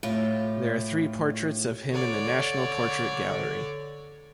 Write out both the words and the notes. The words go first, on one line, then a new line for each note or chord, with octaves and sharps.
There are three portraits of him in the National Portrait Gallery.
A2 F4 G4
D3 C#5 D5